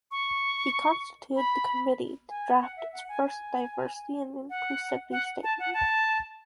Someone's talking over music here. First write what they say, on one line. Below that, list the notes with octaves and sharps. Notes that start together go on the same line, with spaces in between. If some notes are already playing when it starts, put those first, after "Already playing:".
He constituted the committee to draft its first Diversity and Inclusivity Statement.
C#6
B5
G#5
F#5
E5
F#5
G#5
G#5
F#5
F#5
A5
F#5
A5